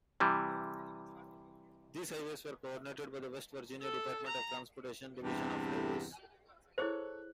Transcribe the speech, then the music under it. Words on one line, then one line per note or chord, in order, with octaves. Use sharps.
These highways were coordinated by the West Virginia Department of Transportation, Division of Highways.
C3 E3 G3
A4
A#5
E2 G2 C3
E4 G#4 A4 C5 C#5 F#6